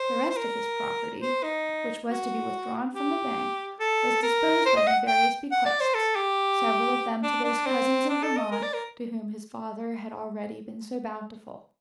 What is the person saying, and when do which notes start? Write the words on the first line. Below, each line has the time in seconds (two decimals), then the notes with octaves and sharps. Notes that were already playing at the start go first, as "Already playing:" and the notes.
The rest of his property, which was to be withdrawn from the bank, was disposed of in various bequests, several of them to those cousins in Vermont to whom his father had already been so bountiful.
Already playing: C5
0.30 C5
0.37 A#4
1.22 C5
1.43 D#4
2.08 F#4
2.94 G4
3.80 A4
4.23 A#4
4.66 C5
4.77 D#5
4.87 F#5
5.08 G5
5.52 F#5
5.66 D5
5.80 C5
5.94 A4
6.16 G4
7.23 D4
7.44 D4
7.66 C4
8.09 D4
8.23 A4
8.37 D#5
8.52 A#4
8.63 D5
8.74 A#4